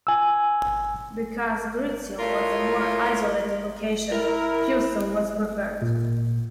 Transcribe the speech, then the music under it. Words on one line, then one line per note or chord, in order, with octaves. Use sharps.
Because Greetsiel was a more isolated location, Pewsum was preferred.
G#5 E6
A3 E4 F4 A#4 C#5
E4 A#4
A#2